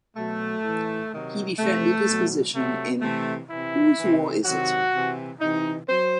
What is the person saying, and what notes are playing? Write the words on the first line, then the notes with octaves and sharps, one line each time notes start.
He defended his position in Whose War Is It?
B2 F#3 A3
A2 E3
C3 D#3 F#3
C3 E3 A3
B2 F#3
C3 F#3 A3
C3 E3 A3
C3 E3 E4
C3 E3
C3 D#3 F#3 F#4
C3 E3
C3 E3 D#4
F#3 C5